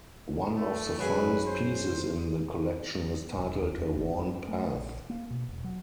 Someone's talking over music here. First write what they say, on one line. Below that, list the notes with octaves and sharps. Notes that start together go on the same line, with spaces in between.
One of the finest pieces in the collection is titled A Worn Path.
A3
F#2 G#4 B4
C5
E1
D#2
E2
G#1
G2
A3
A#1
A#3
B2
E1
F#3